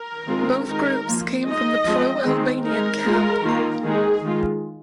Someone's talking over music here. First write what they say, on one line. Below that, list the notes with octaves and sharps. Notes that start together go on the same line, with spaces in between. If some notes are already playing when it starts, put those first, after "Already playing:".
Both groups came from the pro-Albanian camp.
Already playing: A#4
D#3 G#3 C4 F4
D#3 G#3 D#4 A#4
F3 A#3 F4
G#3 D#4 D#5
F3 G#3 C4
D#3 G#3 C4
G#3 D#4 A#4
G#3 F4
D#3 A#3 F4
D#3 G#3 D#4 G#4
D#3 G#3 F4